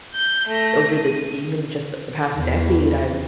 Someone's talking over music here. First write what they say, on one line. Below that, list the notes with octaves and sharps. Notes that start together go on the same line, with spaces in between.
over the even just the the past decade, I've
G6
A3 A#6
D#7
E2